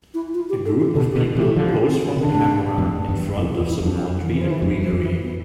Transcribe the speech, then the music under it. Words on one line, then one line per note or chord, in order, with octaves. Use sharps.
A group of people pose for the camera in front of some laundry and greenery.
E4
F4
G4
A4
G4
B2 D3 A4
G4
B2 D3
C3 E3
G4
D3 F3 G4
C4
C3 D4
D3
A2 C3
F2 A2
E2 G2
G2
F2 E4
F4
E2
E4
F2 D4
E3
F3
E3
F2
F3
F2
E3
B3